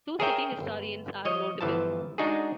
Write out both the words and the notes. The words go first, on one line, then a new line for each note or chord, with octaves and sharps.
Two city historians are notable.
G#4 A#4 C#5 E5 G5
G1
F3 C#5 D#5
G1 E3 F3 A5
G#3 D4 D#4 F#4 G#4